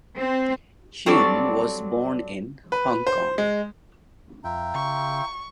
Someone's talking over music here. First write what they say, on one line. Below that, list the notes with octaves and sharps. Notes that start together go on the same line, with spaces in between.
Cheung was born in Hong Kong.
C4
F#3 G3 C4 D4 A4 D5
B4
C5
G#3
F2 F4 E5 G5 A#5
C#3 C#6